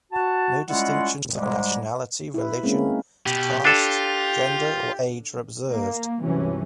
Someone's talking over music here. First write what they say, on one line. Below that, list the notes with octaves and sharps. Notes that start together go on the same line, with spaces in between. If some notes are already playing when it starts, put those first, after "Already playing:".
No distinctions of nationality, religion, caste, gender, or age are observed.
F#4 A5
G3 G#3 C#4 E4 F4 F#5
G#2 G3 G#3
E4 B4
G#3 A#3 C4 C#4
B2 G4
D4 F4 A4
A#3
C#2 G2 C3 E3 F#3 C#4